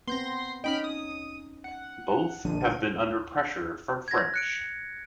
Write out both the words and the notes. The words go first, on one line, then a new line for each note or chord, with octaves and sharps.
Both have been under pressure from French.
B3 C4 C6 G6 A#6
C#4 D#4 D#5 G5 B5 F6
D#6
F#5
A#1 D3 D4 D#7
G#6 A#6
F#6 C#7 D7